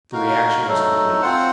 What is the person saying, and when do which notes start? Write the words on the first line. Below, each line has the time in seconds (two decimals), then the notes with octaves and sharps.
The reaction was complete.
0.12 D#4 F#4 A#4 F5
0.66 F#3 A3 D#4 A4
1.22 C4 F4 C5 F#5